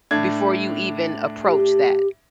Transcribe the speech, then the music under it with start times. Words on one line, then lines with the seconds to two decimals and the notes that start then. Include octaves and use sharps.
before you even approach that.
0.11 A2 D4 G#6
1.44 G4